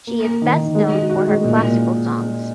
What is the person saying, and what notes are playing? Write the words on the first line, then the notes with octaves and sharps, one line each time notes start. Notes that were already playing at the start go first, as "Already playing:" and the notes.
She is best known for her classical songs.
A#3
A#3
D#3
D#3
G#3
F#4
F#4
G#3
A#2
A#2